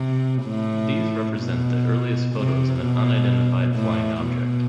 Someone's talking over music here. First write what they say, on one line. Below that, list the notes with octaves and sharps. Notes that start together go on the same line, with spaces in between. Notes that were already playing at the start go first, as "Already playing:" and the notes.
These represent the earliest photos of an unidentified flying object.
Already playing: C3
A2
B2
C3
B2
A2
B2